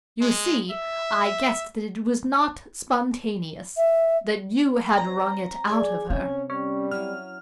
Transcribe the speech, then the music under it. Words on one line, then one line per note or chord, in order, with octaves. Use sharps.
"You see, I guessed that it was not spontaneous; that you had wrung it out of her."
G#3
E5
E5
C4 C#5 D#5 A#5
D#2 G4 G#4 D5 G#5
C3 C4 C#4
G3 C#4
F#3 C#4 E4 F6